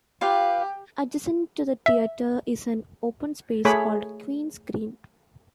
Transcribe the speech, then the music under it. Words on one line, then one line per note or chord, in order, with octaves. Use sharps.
Adjacent to the theatre is an open space called Queen's Green.
F4 G4 B4 F5
E5
A3 G#4 C#5 B5